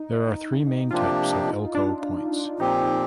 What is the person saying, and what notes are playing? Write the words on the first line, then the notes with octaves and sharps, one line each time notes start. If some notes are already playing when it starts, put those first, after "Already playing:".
There are three main types of Elko points.
Already playing: D#4
C3 F3 A#3 D4 F4 G4
D#4
D4
A#2 F3 C4 D#4 G4